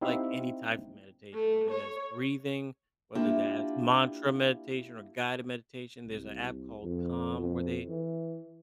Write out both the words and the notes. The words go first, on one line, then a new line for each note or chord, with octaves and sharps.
like, any type of meditation, whether that's breathing, whether that's mantra meditation, or guided meditation, there's an app called Calm where they
C4 D#4 E4 G4 E5 F5
A3
C#5
A#3 D4 E4 F4 G4
C2
F2
F2
E3